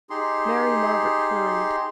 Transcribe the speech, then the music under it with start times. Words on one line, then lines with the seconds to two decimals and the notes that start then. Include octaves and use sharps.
Mary Margaret hurried.
0.10 D#4 G4 G#4 C6